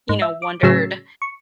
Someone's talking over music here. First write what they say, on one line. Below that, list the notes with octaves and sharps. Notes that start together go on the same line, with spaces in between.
you know, wondered
G#2
E5
D6
A2 C#3 F#3 E6 C7
C#6